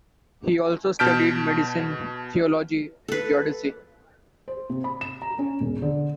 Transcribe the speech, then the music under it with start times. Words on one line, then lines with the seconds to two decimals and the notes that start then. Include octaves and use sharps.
He also studied medicine, theology and geodesy.
0.99 B2 A5 F6 G6 B6 D7
3.08 A4 B4
4.48 C5
4.70 C3
4.84 B5
5.01 E7
5.22 A#5
5.39 C#4
5.60 E1
5.82 D3